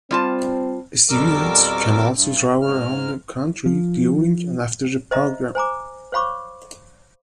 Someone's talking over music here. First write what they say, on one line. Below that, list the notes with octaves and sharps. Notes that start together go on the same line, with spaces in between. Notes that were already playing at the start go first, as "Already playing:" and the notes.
Students can also travel around the country during and after the program.
G3 C4 F4 A5
F2 B2 G3 A#4 D6 E6
G2
G#2 F6
F3
C5 D#5 E5 A#5
C5 G#5 A#5 D6
C5 C#5 F5 B5 C#6 D6